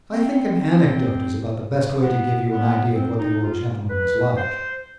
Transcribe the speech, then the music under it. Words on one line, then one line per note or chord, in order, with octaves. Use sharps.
I think an anecdote is about the best way to give you an idea of what the old gentleman was like.
C4
B3
B3
C4
D#4
F4
B4
C5